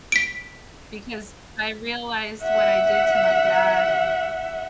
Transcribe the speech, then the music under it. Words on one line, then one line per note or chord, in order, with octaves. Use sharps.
because I realized what I did to my dad, and
B6 D7
E5 F#5